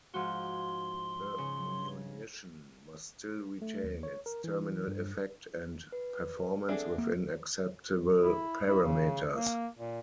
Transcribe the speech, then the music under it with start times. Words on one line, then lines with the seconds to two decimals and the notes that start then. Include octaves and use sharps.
The munition must still retain its terminal effect and performance within acceptable parameters.
0.14 G#2 F3 F#4 C6
1.38 C#3
3.62 A3
3.84 D#2
4.03 C#5
4.26 A#4
4.44 E3
4.88 G2
5.92 B4
6.69 C4 D4 G#4 A4 E5
6.98 A#3
8.23 E4
8.68 E4
8.82 C#3
9.35 A#3
9.79 A#2